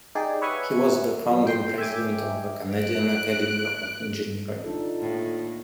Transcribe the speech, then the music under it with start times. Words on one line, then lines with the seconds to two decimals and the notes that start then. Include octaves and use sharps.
He was the founding President of the Canadian Academy of Engineering.
0.15 D#4 G4 G#4 D5
0.41 B4 C#5 E5 F#5 G#5 C#6
1.31 F#3
1.47 G5 C6
1.78 E5 G5 G#5 D6
2.76 F#6 D7
4.64 D4 D#4 F4 A4
5.00 A2 D#3 A#3